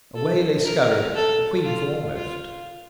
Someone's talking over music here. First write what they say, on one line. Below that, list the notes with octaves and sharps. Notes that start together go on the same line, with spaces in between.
Away they scurried, the queen foremost.
A4
A#4
A4
F4
F4